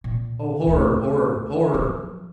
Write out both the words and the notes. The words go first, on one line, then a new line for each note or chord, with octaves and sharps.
Oh, horror, horror, horror!
A#2
D2 A3
F3 F#3